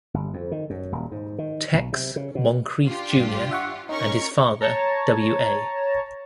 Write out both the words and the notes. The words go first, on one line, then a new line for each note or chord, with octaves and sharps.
"Tex" Moncrief Junior and his father W. A.
G1
F2
D#3
F#2
D#1
G#2
D#3
B1
C3
C#3
B2
D4 F4 G4
G#1 G2
E5 F#5 C#6
C#4 D#4 A#4 C#6
C#5 A5 A#5